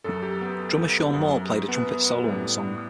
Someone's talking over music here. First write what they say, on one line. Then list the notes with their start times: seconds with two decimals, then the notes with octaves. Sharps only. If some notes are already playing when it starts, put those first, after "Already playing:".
Drummer Sean Moore played a trumpet solo on the song.
0.04 F#2 F#3 A4
0.22 G4
0.41 B3
1.14 F#2 F#3
1.68 B3
2.24 A2 G3